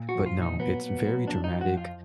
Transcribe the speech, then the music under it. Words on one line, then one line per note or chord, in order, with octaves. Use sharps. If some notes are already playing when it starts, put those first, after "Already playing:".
But, no, it's very dramatic,
Already playing: A#2
F#4
F3
F4
A#2 D#4
F#3 B3
A#2
F#3
F2 D4
D#4
F2
F#4
F3
F4